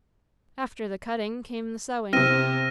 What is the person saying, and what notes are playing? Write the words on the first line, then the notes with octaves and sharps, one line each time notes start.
After the cutting came the sewing.
C3 C4 F6 A#6 D#7